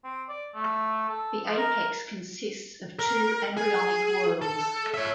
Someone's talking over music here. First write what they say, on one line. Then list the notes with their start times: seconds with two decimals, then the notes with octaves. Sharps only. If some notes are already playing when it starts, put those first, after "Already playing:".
The apex consists of two embryonic whorls.
0.05 C4
0.29 D5
0.55 A3
1.09 A4
1.46 F3
1.58 A#4
2.99 A#4
3.57 G#4
4.42 A4
4.94 C#5 E5